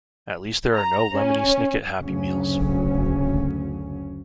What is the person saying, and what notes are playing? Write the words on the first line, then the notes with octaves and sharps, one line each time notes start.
At least there are no Lemony Snicket Happy Meals.
A#5
C#4
F#1 D2 C#3 F#3 C#4